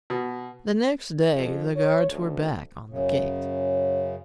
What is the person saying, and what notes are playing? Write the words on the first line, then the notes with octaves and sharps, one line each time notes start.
The next day the guards were back on the gate.
B2
F2
C#5
D2
F#2 C#3